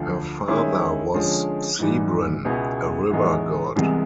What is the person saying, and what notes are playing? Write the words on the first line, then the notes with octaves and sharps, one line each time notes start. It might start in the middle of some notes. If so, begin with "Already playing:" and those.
Her father was Cebren, a river-god.
Already playing: D2 D3 F3
D#3 G#3 C#4 E4
D3 F3 G#3 C#4
G#2 E3 G3
C#2 B2 G#3 B3 E4
A2 E3 G#3 B3 D#4
C2 C3 E3 G#3 B3